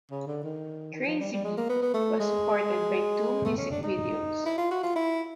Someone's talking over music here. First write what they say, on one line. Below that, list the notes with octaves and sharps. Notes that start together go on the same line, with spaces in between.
"Crazy Beat" was supported by two music videos.
C#3
D3
D#3
D#3
F3
G3
G3
G#3
A#3
B3
B3
A3
G#3
A3
C#4
D4
D#4
E4
F4
F#4
F4
E4